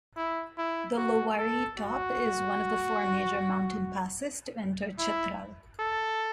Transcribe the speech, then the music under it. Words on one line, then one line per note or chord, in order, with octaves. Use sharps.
The Lowari Top is one of the four major mountain passes to enter Chitral.
E4
E4
F#4
A4
F#4
E4
A4